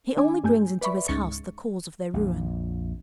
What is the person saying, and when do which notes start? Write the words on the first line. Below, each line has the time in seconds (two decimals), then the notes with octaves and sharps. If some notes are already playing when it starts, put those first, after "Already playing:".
He only brings into his house the cause of their ruin.
0.17 D#3 D4 G#5 D6
0.44 G2 A3 G#5 G6
0.81 B4 D5 E5 B5 C#6
1.08 G#1 C#2 C#6 A6 C#7
2.14 A#1 F2